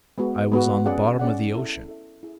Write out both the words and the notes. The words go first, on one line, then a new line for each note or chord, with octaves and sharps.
I was on the bottom of the ocean.
G#3 B3 F#4
G#3 B3 F#4
C#4 G#4 D5 F#5
C#4 G#4 D5 F#5
E4 A4 E5
E4 A4 E5
E4 G#4